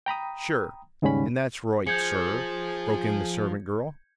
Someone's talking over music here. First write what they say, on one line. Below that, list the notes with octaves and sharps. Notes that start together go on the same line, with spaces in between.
"Sure, and that's roight, sur," broke in the servant girl.
G5 A#5 B5 D#6
D#2 G#2 C#3 G3 C#4 B5
F3 G#4 G6 G#6 C#7